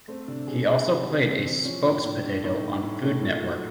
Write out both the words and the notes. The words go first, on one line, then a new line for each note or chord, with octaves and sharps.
He also played a spokes-potato on Food Network.
A3 C4
C3 D4
C3 G#4
C3 G#4
C3 F#4
C3
E3 C4
C3
F3 C#4
A2
D4
A2
D4
A3
A2 D#4
A3
A2
A3
A#2
F#3